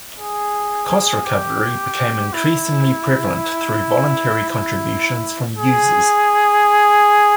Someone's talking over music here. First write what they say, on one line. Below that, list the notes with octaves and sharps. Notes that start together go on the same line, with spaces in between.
Cost recovery became increasingly prevalent through "voluntary" contributions from users.
G#4
G4
E4
E4
G#4